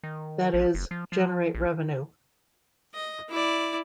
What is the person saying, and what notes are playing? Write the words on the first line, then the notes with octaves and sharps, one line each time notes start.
That is, generate revenue.
D#3
A1
F#1
F3
F3
A#1
D#5
E4 D5